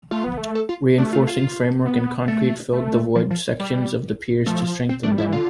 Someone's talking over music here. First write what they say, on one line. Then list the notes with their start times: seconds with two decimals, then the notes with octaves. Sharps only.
Reinforcing framework and concrete filled the void sections of the piers to strengthen them.
0.11 A3 F4
0.24 B3
0.37 A3
0.55 A4
0.69 F4
0.98 A3 D4
1.13 F4
1.27 F4
1.85 B3
2.28 A3
2.72 A3
3.16 F3
3.31 F3
3.60 G3
4.46 F3 A3
4.89 C4
5.03 A3 D4
5.12 G3
5.18 F3 E4
5.25 E3
5.33 D3 F4